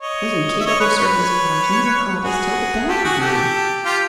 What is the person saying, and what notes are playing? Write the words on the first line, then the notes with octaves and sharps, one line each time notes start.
Those incapable servants of ours never called us till the bell began.
C#5 D#5
E5
C#5 D#5
B4 C#5
B4 C#5
F#4 G#4
G4 A4
F#4 G#4
G4 A4
F4 G4